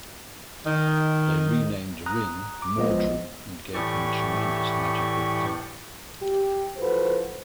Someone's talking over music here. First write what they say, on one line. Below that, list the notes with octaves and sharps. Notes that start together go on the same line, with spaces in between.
They renamed Wrynn, "Mordru" and gave him tremendous magical power.
D#3
A#5 D#6 F#6
D6
A#1 F3 G#3 B3 D#5
A2 E3 G4 D5 C#6
G4
A2 F3 F#4 A4 B4 C5